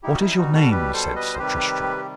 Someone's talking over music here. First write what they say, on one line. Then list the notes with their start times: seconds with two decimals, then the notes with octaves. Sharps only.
What is your name? said Sir Tristram.
0.03 B2 G3 D#4 E4 G4
0.14 F#4
0.20 E4
0.37 D#4 F#4
0.54 F#4 A4
0.71 G4 B4
0.94 A4 C5
1.16 B4 D#5
1.34 C5
1.39 C3 D#3 G3 G4 B4
1.97 G4